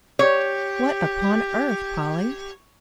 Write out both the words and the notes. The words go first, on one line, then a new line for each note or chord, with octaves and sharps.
"What upon earth, Polly!"
G4 C#5